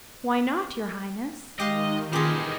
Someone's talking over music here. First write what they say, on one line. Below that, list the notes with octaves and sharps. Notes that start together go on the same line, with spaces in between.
"Why not, your Highness?"
D#3 G#3 G4 D#5 F5
E3 A#3 C#4 D#4 F4 G4 G#4